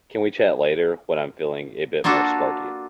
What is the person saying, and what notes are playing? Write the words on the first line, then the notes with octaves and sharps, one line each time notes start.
Can we chat later when I'm feeling a bit more sparky?
A#3 D4 F4 F#4 A4